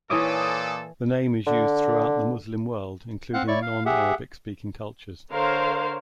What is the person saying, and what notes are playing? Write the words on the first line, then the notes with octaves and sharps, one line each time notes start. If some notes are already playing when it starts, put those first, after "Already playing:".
The name is used throughout the Muslim world including non-Arabic speaking cultures.
A#2 E3 A4 C#5 E5 D6 D#6
D3
C4 F5 F#5 F#6
E4 C#5 D5 C#6
F5
G4 G#4 E5 F#5
D3 A#4 C5 C#5 F5